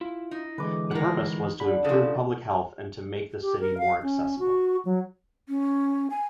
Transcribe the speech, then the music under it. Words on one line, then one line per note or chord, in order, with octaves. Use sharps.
The purpose was to improve public health and to make the city more accessible.
E4 F4
D#4
D3 E3 G#3 B4 D6
A2 D#4 A#4 F#5
D3 A5 B5
C#3 F3 G#4 A4
G4
A#4
F5
C#4
F#4
F#3
C#4
G#5